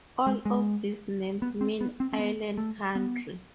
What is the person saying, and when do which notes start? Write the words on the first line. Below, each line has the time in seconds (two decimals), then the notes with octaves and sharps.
All of these names mean "island country".
0.26 G#3
0.45 G#3
1.42 B3
1.61 C4
1.81 B3
2.00 C4
2.13 C4
2.19 B3
2.58 A3
2.95 B3